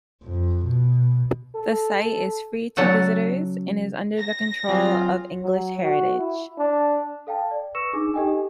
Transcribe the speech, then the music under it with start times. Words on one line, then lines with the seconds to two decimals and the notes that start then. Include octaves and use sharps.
The site is free to visitors and is under the control of English Heritage.
0.24 F2
0.65 B2
1.55 A4
2.77 C#3 F#3 A4 F#5
4.19 A#6
4.69 F#3 C4 F4 G#4
5.43 F#3
5.84 F#4
6.19 E4
6.58 D4
7.27 A4 F5 G5 A5
7.51 D5
7.75 B4 C#6 E6 A#6 C#7 E7
7.93 D4 D#4 G#4 D6
8.14 D#4 G4 A4 D#5 G5 G#5
8.27 G4